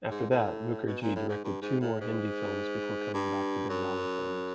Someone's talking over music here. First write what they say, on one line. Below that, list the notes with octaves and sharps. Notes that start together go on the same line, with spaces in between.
After that Mukherjee directed two more Hindi films before coming back to Bengali films.
G#2
A2
B2
A#2
A2
G#2
G2
G#2
A2
G#2
G2
F#2